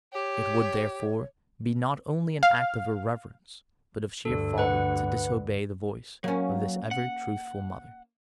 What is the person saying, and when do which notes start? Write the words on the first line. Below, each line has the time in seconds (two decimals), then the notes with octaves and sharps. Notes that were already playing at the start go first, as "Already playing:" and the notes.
It would, therefore, be not only an act of irreverence, but of sheer folly, to disobey the voice of this ever-truthful Mother.
0.13 G4 C#5
2.43 F5
4.25 D2 G2 A4
4.58 B4 F#5
6.24 F#3 A#3 C#4
6.91 F#5